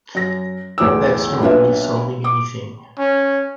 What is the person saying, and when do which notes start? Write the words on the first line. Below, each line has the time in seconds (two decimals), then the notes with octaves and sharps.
That's not really solving anything.
0.15 F#2 A#6
0.78 B1 E2 A2 D6 E6
1.41 B1 A#3 D4 F4 B4 E5
2.24 D6
2.99 C#4